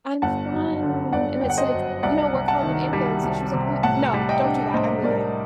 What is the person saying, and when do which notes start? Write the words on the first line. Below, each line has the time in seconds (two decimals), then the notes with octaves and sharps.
I'm fine." and it's like, "No, we're calling an ambulance." and she was like, "N no, don't do that, I'm leaving."
0.22 G1 F#5 A5
0.52 F#2
0.83 D3
1.12 G1 D5 F#5
1.41 G1 G5
1.50 F#5
1.58 C5 D#5
1.73 F#2
2.03 C2 D5 F#5
2.33 C3
2.48 F#5 A5
2.63 D#3
2.93 G3
3.23 C2
3.53 C3
3.83 A2 F#5 A5
4.13 G3
4.29 D#5 G5
4.43 D4
4.74 A2 C5 D#5
5.04 A2 A#4 D5